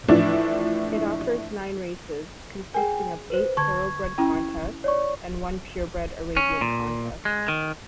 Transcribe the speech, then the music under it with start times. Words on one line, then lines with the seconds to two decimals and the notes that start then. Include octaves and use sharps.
It offers nine races, consisting of eight Thoroughbred contests and one Purebred Arabian contest.
0.08 A2 E3 F3 D4 E4
2.74 G#4 A#4 G5 G#5
3.30 B4 C5
3.57 D3 A5 C#6 G#6
4.18 C#4 E4 G5
4.84 C#5 D5 C#6
6.37 C#4
6.61 A#2
7.25 G#3
7.48 D#3